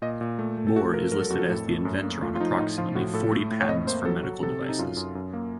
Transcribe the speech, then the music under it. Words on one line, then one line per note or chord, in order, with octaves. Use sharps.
Mohr is listed as the inventor on approximately forty patents for medical devices.
A#2 D#5
A#2
A3
A3
A4
A3 F#4
A4
F3 A#4
F#3 A#4
A4
F2 F#4
A4
A2
A3
F#2
A#3
A3 F4
F4
F3 D#4
A2 D#4
F3 F4
A2 F#4
A2 A4
A3
A2
C#5
F2 D#5
A#3 C5
F#3 A4
F#3 F#4
C3 A4
C3
D#4
F#2 F4
F#2
F#2
A#3